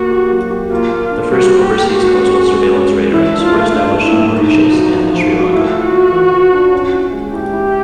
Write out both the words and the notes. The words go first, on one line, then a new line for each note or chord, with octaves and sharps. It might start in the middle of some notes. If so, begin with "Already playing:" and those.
The first overseas coastal surveillance radars were established in Mauritius and Sri Lanka.
Already playing: A#3 F#4 G4
G4
F#3
G4
A#3 F4
A#3
D4
G3 F#4
A#3
G4
A#3
G#3 F#4
C#4
G#3
G#3
C#4
G#3
E3 E4
D4
F4
A3
D4 F4
D4
E4
A2
A3 D#4
F3
F#4
F3
F3
F#4
A3 E4
F4
F#4
F4
E3
F4
D4
C#4
E4
G#3
E4 G4
E4